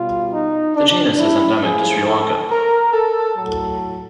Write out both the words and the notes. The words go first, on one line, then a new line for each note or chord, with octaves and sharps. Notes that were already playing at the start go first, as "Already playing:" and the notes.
The genus is endemic to Sri Lanka.
Already playing: B2 G3 F4
D#4
D4
E4
A2 F3 G#4
A4
A#4
A4
A2 F#3 A4